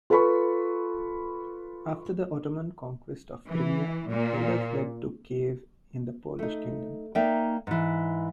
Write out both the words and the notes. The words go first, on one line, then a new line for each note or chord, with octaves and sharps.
After the Ottoman conquest of Crimea, Hayder fled to Kiev in the Polish Kingdom.
F4 A4 B4 B5 C#6
E3
A#2
A3 D#4
A#3 D#4 D5 E5 G5
G#2 E3